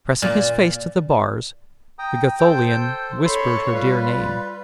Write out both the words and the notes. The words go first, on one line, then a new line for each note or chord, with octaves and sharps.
Pressing his face to the bars the Gatholian whispered her dear name.
A#2
G5 A#5 D#6
A4 C5 G5
A4 C#5 B5 C6
G3 F4 B4